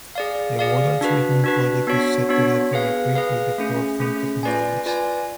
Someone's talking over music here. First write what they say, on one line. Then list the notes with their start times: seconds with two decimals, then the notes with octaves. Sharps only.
The water treatment project is said to have been equipped with the forefront technologies.
0.15 G#4 D5 F5
0.59 G#4 D5 F5
1.01 D4 F#4 B4
1.44 D4 F#4 B4
1.87 B3 D4 F#4 C#5
2.29 B3 D4 F#4 C#5
2.73 G#4 B4 F5
3.15 G#4 B4 F5
3.58 A3 C#4 G#4
4.00 A3 C#4 G#4
4.43 F4 B4 D5 G#5
4.86 F4 B4 D5 G#5